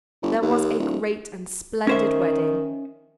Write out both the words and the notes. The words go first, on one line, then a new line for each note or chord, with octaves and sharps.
There was a great and splendid wedding.
G1
D#2
D1
D#3 C#4 C5 E5